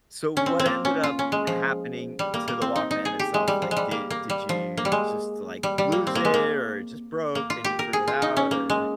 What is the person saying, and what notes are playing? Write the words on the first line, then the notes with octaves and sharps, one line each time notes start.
So, what ended up happening to the Walkman itself? Like, did did you just, like, lose it or it just broke and you threw it out? Or
C#4
C4
C4
A#3
C#4
F4
C#4
G#3
F3
G3
A#3
A#3
C4
D#4
D#4
G#4
G4
G#3
G3
F3
G#3
G3
A#3
A#3
G3
F3
A#3
G3
G#3
G3
G3
A#3
C4
A#3
G#3
A#3
A#3
F4
G4
A#4
G#4
F4
D#4
C#4
A#3
G#3